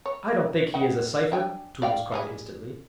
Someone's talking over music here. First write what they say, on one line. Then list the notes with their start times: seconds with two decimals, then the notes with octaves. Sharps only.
"I don't think he is a cypher," Tootles cried instantly.
0.06 C#5
0.74 D#4 F#5 G5
1.32 D4 G5 G#5
1.82 D5 F5 G5
2.12 G3 G#3 G#4